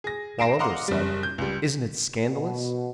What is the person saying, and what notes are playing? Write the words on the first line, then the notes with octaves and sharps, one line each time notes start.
While others said--"Isn't it scandalous!"
G#4 A#6
A#6 C7 D7 E7
D#5 F5 F#5 A#5 C6 D6
F#1 G3
G6
C#2 G3
B2